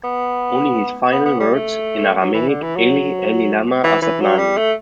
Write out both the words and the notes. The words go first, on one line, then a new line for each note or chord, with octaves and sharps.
Only his final words, in Aramaic, Eli, Eli lama asabthani?
B3
B3
B3
G3
A3
F#3
E3
D3
E3
F#3
E3
E3
F#3
G3
A3